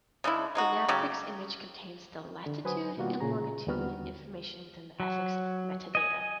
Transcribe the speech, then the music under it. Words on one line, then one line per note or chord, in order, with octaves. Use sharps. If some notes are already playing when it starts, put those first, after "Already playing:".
The NavPix image contains the latitude and longitude information within the Exif metadata.
C#3 G#3 D4 E4
G#3 D#4 F#4
C#3 F#3 G4
D3
F#3 B4 C5 G#5 D#6
B2 D#3 G3 A#3 F4 F#4
A#2 C#3 G#4 A#5
D#2 D3 G3 B3 F#4 F6
F#3
D#5 G#5 D#6